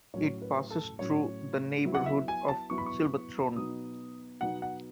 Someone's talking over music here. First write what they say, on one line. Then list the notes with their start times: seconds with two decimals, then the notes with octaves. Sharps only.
It passes through the neighbourhood of Silverthorne.
0.14 A2 F#3 C#4 C#5
0.42 B4
0.70 A4
0.99 A2 F#3 C#4 C#5
1.85 F#3 B3 E4
1.95 F#5
2.06 E5
2.28 G#5
2.48 A5
2.70 F#3 B3 E4 C#6
2.78 B5
2.86 C#6
3.55 B2 F#3 B3 D#4 D#6
4.41 B2 F#3 B3 D#4 F#5
4.62 F#5